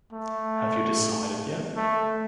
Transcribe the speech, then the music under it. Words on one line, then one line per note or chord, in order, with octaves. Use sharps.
Have you decided, yet?
A3
A3